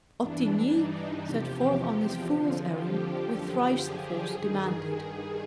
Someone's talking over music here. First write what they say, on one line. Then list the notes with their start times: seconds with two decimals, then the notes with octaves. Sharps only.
Ottigny set forth on this fool's errand with thrice the force demanded.
0.19 G2 E3 D4
0.71 D#4
1.22 E2 C3 F3 G4
2.24 F2 D3 F3
2.76 G4
3.27 F#2 D3 F3
3.78 G#4
4.29 G2 D#3